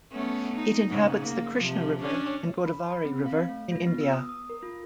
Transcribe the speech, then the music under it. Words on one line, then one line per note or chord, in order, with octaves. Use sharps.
It inhabits the Krishna River and Godavari River in India.
A3 B3 C#4
D#4
G#2 C#3
A#3
C3 F3
C#4 D4
B5
B5
C4
F5
A3
F4
B3
E6
D#6
D#6
A#4
F4